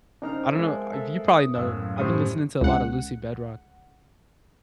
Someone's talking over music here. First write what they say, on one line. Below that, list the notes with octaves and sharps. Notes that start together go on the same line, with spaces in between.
I don't know, uh, if you probably know I've been listening to a lot of Lucy Bedroque.
C#3 C4 D4 D#4 A#4 F6
F3 G#3 E5
A4 E5
D#6
C#2 F#2 A2 B3 E6
A2 C#3 G3 C5 D#6
C#2 F#5